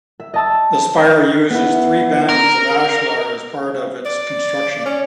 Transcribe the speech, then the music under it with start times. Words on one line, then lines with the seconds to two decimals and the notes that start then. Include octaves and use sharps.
The spire uses three bands of ashlar as part of its construction.
0.20 E5
0.34 D#5 A5 E6
1.51 B3 E4
2.29 A#4
4.06 D5
4.86 C#4